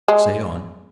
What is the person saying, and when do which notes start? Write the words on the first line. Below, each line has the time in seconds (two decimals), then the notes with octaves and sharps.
"Say on."
0.08 G#3